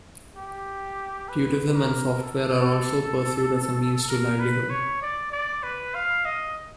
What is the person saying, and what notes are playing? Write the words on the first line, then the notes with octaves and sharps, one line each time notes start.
Tourism and software are also pursued as a means to livelihood.
G4
B4
A#4
A4
A#4
B4
C#5
D5
D5
B4
F5
D#5